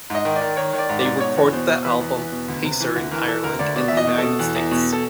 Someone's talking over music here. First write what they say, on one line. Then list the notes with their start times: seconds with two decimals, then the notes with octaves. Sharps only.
They recorded the album "Pacer" in Ireland and the United States.
0.10 G#2 D#5
0.25 D#3
0.36 D5
0.41 D#3
0.57 D#3 C#5
0.73 D#3
0.78 D5
0.89 G#2
0.99 D5
1.05 G#2
1.20 B2 C#5
1.36 E2
1.53 B2 C5
1.69 B2
1.84 E2 B4
2.00 E2
2.17 E2
2.32 B2
2.48 D2
2.64 C3
2.80 E3
2.96 D2
3.11 E3 A#4
3.27 E3 A4
3.44 D2 A#4
3.59 D2 D5
3.76 B2 D5
3.88 E5
3.91 E2
3.97 D#5
4.07 B2
4.18 B2 A4
4.39 E2
4.55 E2
4.71 B2
4.93 A4